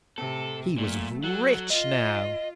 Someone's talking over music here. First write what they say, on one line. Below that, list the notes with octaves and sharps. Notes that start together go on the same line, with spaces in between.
He was rich now.
A2 C3 A4
A#2 F#3 A3
F#3 A4
F4 D#5